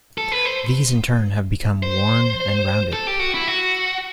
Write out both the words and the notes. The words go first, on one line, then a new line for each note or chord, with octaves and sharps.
These in turn have become worn and rounded.
A4
B4
C5
C5
A4
G4
F#4
E4
F#4